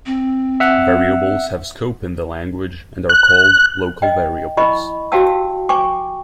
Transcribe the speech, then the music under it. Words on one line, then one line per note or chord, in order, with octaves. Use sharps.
Variables have scope in the language, and are called "local variables".
C4
E5 F#5
F#6
D#5 G5
E4 D#5 B5 C#6
F#4 G4 F5 G5 A5 E6
G5 G#5 C#6 D6